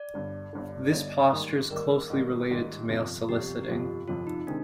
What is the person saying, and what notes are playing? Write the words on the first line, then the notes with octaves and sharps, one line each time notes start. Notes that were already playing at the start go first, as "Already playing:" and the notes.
This posture is closely related to male soliciting.
Already playing: D5
G1 G2 D3
G1 G2 D3
D5
G1 G2 D3 D#5
G#2 D#3 G3 A#3
G#2 D#3 G3 A#3 A#4
G#2 D#3 G3 A#3
F4
G#2 D#3 G3 A#3 G4
G1 F2 C3 F3
G1 F2 C3 F3 G4
G4
G1 F2 C3 F3 F4
G1 F2 C3 F3 F4
D#4
C3 D#3 G#3 C4 D4